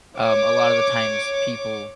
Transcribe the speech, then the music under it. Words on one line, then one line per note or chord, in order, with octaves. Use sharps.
um, a lot of the times, people
C#5 D6